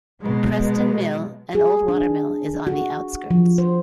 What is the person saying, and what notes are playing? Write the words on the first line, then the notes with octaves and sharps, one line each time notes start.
Preston Mill, an old watermill, is on the outskirts.
B2 F#3 G#3
G#4
D4
F#4
F3
C5